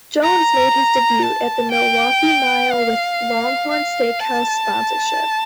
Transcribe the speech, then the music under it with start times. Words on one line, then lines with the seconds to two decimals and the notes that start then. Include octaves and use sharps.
Jones made his debut at The Milwaukee Mile with Longhorn Steakhouse sponsorship.
0.23 A#5
1.22 A5
1.71 G5
2.71 F5
3.71 F5
4.20 A5